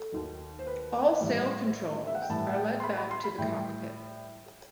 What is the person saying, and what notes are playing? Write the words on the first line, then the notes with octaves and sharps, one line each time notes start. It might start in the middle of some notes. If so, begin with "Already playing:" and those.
All sail controls are led back to the cockpit.
Already playing: A4
D#2 D#3 F#3
C5
B4
A2 E3 G3
E5
F#5
G5
A2 E3 G3 A5
F#5
G5
C6
B5
B5
C6
B5
A2 E3 G3 G5